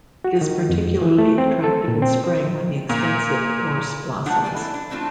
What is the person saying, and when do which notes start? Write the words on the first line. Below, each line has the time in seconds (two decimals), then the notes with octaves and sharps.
It is particularly attractive in spring when the extensive gorse blossoms.
0.24 F#4
0.41 D#3
0.69 F2
1.01 E3
1.18 A3
1.38 C4
1.64 A4
1.88 A#2
2.02 C4
2.24 C5
2.89 A#2
4.26 D#3 F3 A3 D4 F#5 A#5
4.44 G3 D5 G#5
4.56 E3 C4 A4
4.74 D4
4.90 E3 A3 C4 D4 F4